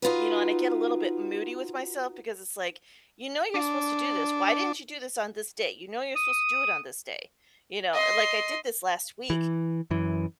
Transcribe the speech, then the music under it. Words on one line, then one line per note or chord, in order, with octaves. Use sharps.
You know, and I get a little bit moody with myself because it's like, "You know you're supposed to do this. Why didn't you do this on this day? You know you're supposed to do it on this day." You know, it like, "I did this last week."
D#4 F4 F#4 B4
D4
D#6
D#5 C6
E3
F#2 E3